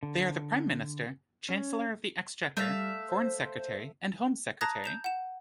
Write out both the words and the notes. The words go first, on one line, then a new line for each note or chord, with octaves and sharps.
They are the Prime Minister, Chancellor of the Exchequer, Foreign Secretary and Home Secretary.
D3
C#4
G3 A3 E5 F5
C5
A5 A#5 D#6 F#6 G#6 A#6
G6 E7 F7
F#5 E7